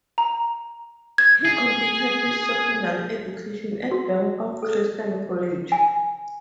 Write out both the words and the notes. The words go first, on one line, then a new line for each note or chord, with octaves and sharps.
He completed his secondary education at Bangkok Christian College.
A#5
G#6
G#4
F#4
A4
G#5